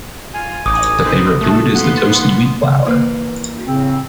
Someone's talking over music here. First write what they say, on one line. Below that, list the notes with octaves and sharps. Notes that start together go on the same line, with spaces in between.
The favorite food is the toasted wheat flour.
F4 G#5
A1 D#4 D6 D#6
C4 D#4 B4
A3 F#4 A4
A#3 B3 F#5 C6
E3 A#3 B4
A2 C#3 C4